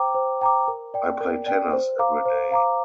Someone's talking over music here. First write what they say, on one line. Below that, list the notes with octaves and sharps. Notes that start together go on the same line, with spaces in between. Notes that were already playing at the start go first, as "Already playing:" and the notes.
I play tennis everyday.
Already playing: C5 G5 A#5 D6
C5
G5 A#5 D6
A#4
D5 G5
A#4
D5 G5
C5
F5 A#5 D6
C5
F5 A#5 D6